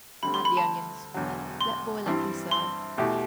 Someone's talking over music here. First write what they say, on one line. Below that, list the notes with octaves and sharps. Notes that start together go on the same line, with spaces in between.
Add the onions; let boil up and serve.
D2 D3 G3 C4 B5
C6
B5
A5
E1 E2 D3 F#3
C6
G2 E3 G3 C4 E4
C6
E2 B2 A3 E4 G4